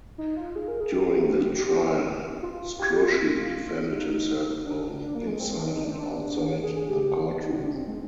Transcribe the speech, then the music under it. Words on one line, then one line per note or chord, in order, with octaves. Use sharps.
During the trial, Scrushy defended himself both inside and outside the courtroom.
D#4
F4
G#4
A#4
G#4
G4
G4
F4
G4
G4
F4
D#4
D4
D4
A#3
G#3
C4
D#4
D#4
D4
C4
D4
G#4
G#4
G4
D#4
D4
C4
G#3